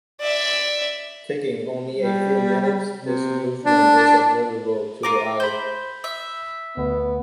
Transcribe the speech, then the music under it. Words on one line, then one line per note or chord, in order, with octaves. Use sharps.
Taking only a few minutes, this movement is observable to the eye.
D5 E5
G3
C3
D4
F4 A#4 D6
C5 B5 G6
E5
D2 B3